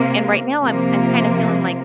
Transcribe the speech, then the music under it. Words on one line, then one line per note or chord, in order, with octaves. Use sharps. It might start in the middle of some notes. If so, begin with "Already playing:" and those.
And right now, I'm I'm kinda feeling like
Already playing: C3 A#3
C3 F3 A#3